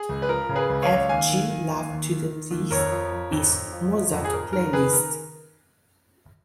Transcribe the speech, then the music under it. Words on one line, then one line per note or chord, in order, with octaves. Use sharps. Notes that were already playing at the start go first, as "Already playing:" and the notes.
Add g love to the This Is Mozart playlist.
Already playing: G#4
C#2
B4
F3 A#4
C#3
G#4 B4
C#2
C#5 F5
C#2
D#2 F5 G#5
D#3
D#3
D#2
D#2
D#3
D#3
D#2
F2 A#4 C#5
F3
F3
F2
F2
F3
F3
F2
G#4
F2 A#4
D#3 A#4
D#3 G#4 B4
A#4